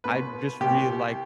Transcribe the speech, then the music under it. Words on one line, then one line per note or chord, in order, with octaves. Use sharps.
I just really like
C2 B2 B4
C2 B2 G4